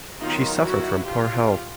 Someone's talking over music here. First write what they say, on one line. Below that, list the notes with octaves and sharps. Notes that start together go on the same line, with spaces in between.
She suffered from poor health.
D#3 F#3 B3 D#4 F4
E4 F#4
F4 G4